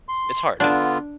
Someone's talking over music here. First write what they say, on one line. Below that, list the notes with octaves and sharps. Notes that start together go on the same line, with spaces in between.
it's hard.
C6
D3 B3 D4 F4 A5